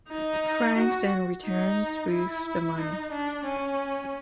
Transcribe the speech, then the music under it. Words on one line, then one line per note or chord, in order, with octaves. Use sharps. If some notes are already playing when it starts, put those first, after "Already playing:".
Frank then returns with the money.
D#4
F#4
D#4
E4
D#4
D4
C#4